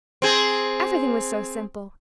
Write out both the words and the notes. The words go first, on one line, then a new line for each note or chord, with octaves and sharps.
Everything was so simple.
C4 G#4